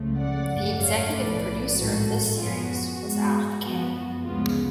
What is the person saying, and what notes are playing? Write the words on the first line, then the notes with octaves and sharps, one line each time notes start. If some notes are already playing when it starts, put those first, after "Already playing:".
The executive producer of this series was Alan King.
Already playing: C#2 C#3 F3 A3
D5 F#5
G#1 F#2 F3 A3
C#5 F5
B1 A2 F3 A3 B4 D5
A1 G#2 F#3 A3 F#4 A4
F#2 F3 B3 F4 G#4
F#4
G#2 G#3 B3
F#2 F3 B3
F#4
D2 C#3 F3 G#3 B3 F4